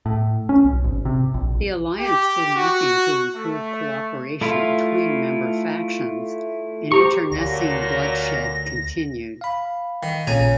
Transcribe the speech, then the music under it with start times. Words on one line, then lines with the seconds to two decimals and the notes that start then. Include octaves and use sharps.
The alliance did nothing to improve cooperation between member factions, and internecine bloodshed continued.
0.06 A2
0.49 C#4
0.65 B1
0.84 G#1
1.05 C3
1.34 A#1
1.99 G4
2.55 F#4
3.35 A3
4.41 A3 E4 F4
6.92 G4 C5 A#5 C#6
7.32 D2 A#2 D3 F#3 A#6
9.41 F5 B5
10.03 D#3
10.27 A#1 A#2 C#3 G#5 A#5